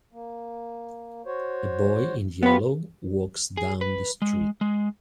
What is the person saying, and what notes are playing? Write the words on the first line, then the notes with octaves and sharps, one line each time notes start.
A boy in yellow walks down the street.
A#3
F#4 C5 C#5
B3 F4 G4 B4
G#4
B4
G#3
G#3